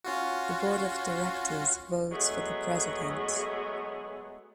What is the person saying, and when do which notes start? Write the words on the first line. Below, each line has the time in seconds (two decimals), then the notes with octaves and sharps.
The board of directors votes for the president.
0.04 C#4 F4 F#4
2.12 F#3 G#3 A3 B3 G#4